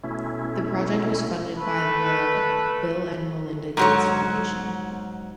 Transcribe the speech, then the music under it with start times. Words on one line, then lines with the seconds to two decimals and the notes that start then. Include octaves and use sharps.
The project was funded by the Bill and Melinda Gates Foundation.
0.03 B2 A3 C#4 E4
1.59 A3 B4
3.77 G#2 F#3 C#5